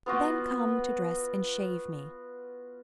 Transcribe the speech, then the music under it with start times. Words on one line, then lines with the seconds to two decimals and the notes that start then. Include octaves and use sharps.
"Then come to dress and shave me."
0.06 B3 F4 F#4